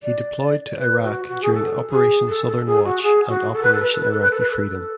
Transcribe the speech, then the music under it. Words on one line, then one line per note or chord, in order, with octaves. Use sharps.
He deployed to Iraq during Operation Southern Watch and Operation Iraqi Freedom.
D5
C#5
B4
F#4
F#4
G#4
A4
G#4
A4
A4
G#4
F#4
G#4
F#4
A4
B4
A4
B4
A4
B4
A4
B4
A4
B4
A4